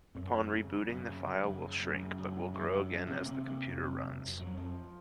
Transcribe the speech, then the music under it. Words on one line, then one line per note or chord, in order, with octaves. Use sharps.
Upon rebooting the file will shrink but will grow again as the computer runs.
F#2 C4
F#2
C#3
C#3
F#2
C#3
C#3
F#2
C#3
F#2
C#3
F#2
C#3
F#2
F#2
C#3
C3 C#4
C4
C3 A#3
C4
C3 A#3
F2
C3 F#3
F2
F2
F2
F#3
F2 F3